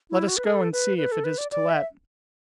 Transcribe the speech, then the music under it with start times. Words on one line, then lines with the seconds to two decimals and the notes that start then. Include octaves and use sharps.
"Let us go and see if it is to let."
0.10 E4
0.28 F#4
0.37 B4
0.45 A4
0.72 B4
0.98 B4
1.12 A4
1.24 B4
1.38 D5
1.51 D5
1.69 E5